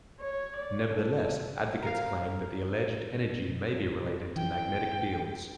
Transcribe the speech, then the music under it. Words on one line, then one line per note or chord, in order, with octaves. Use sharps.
Nevertheless, advocates claim that the alleged energy may be related to magnetic fields.
C#5
D5
A4
A#4 F5
E3 G5